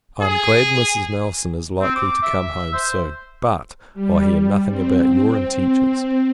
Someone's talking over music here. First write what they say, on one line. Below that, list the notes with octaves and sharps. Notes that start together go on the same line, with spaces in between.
I am glad Mrs. Nelson is likely to come home soon; but, I hear nothing about your intentions.
G#4
C4
D6
E5
C5
G3
C4